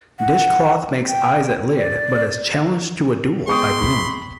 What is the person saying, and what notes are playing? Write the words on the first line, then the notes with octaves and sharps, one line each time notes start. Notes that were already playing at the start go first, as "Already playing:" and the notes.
Dishcloth makes eyes at Lid but is challenged to a duel by Broom.
F#5
G5
D5
G#3 B3 G5 C6 C#6 D#6
B5